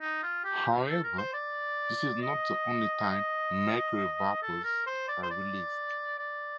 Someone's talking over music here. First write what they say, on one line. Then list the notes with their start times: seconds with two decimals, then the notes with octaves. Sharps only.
However, this is not the only time mercury vapors are released.
0.01 D#4
0.23 F4
0.44 G4
0.89 A4
1.04 A#4
1.18 C5
1.33 D5
2.21 D#5
3.10 D#5
4.42 A4
4.64 A#4
4.86 C5
5.08 D5
5.23 C5
5.30 D5
6.19 D5